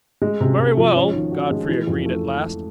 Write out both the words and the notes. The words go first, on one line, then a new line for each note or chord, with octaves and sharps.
"Very well," Godfrey agreed, at last.
G#3
C3
C3
F3
C#4
D#3
F#4
G#3
E3
F2
A3